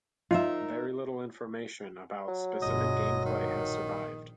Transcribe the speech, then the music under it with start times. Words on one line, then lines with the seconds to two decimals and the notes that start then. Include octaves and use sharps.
Very little information about specific gameplay has survived.
0.31 D#4 F4 A#4 E5
2.28 F#3
2.62 G1 B2 G#3 D#5
3.25 A#1 D#3